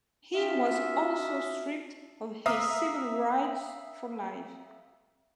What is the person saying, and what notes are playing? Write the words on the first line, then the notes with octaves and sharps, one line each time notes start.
He was also stripped of his civil rights for life.
C#4 D#4 F4 F#4 E5
E5 F5 A#5 D6 D#6 F6